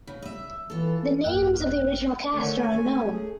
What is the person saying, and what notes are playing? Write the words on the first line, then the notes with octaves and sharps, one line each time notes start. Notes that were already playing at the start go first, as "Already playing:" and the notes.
The names of the original cast are unknown.
C#3
D#5 E5
E3 F4 A4
G#1 F#2 A#3 G5 F6 F#6
D3 D#3 A3 C#4
G#5
G#4